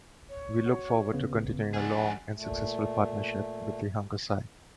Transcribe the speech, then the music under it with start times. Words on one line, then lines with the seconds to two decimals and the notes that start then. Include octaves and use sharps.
We look forward to continuing a long and successful partnership with The Hunger Site.
0.29 C#5
0.66 F#4
1.13 D2 C#3 B3
1.74 D4 G#4 F#5
2.35 A#2 A3